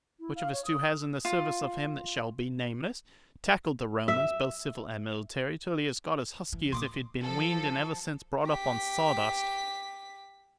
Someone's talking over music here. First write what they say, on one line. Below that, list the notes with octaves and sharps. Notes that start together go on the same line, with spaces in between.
Which of us two has, in the service of him that shall be nameless, tackled the Romans, both civil and military, till he has got as husky as if he'd been weaned and ever since brought up on sawdust?
E4
F5
C#5
D#6
F4
E5
E3
A#2 C6 D6 D#6
F3 A4
G4 B6